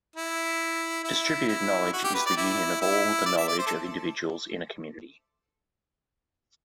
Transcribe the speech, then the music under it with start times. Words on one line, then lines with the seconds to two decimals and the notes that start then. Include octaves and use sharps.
Distributed knowledge is the union of all the knowledge of individuals in a community.
0.16 E4
1.04 E4
1.48 E4
1.93 F#4
2.04 G4
2.14 B4
2.26 D5
2.37 E4
2.81 E4
3.26 D5
3.37 E5
3.48 D5
3.59 C5
3.66 A4